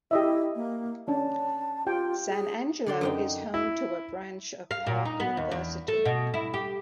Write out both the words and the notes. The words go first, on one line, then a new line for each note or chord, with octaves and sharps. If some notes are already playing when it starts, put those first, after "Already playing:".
San Angelo is home to a branch of Park University.
E4 G4 D#5 E5
A#3
C#4 D4 A5
F4 G4 G5
G#4
D3 D5 C6
F#2 D#4 G5
E4
F5
A#2
D#4
B3
D#2
E2
A3
B2
E4
G4